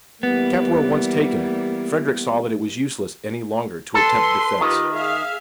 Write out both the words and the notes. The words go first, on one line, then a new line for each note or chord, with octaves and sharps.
Capua once taken, Frederic saw that it was useless any longer to attempt defence.
E3 G3 A#3 B3
A4 B4 C6
D#3 F4 G4 B4
G#4 E5 F5